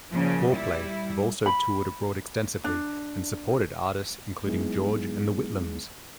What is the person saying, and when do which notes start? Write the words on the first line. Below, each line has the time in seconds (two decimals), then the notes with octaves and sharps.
FourPlay have also toured abroad extensively, and supported artists including george and The Whitlams.
0.11 A#2 C#3 F3
0.52 G3 E4
1.46 B5
2.64 D4
4.46 F#3 G#3 B3 D#4 E4 G#4